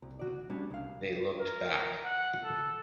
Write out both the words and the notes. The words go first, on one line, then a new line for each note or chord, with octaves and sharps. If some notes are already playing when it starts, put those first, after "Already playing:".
They looked back.
C2
F#4 D5
G3 C#4 D4
C2 F5
A#4
F#5
A4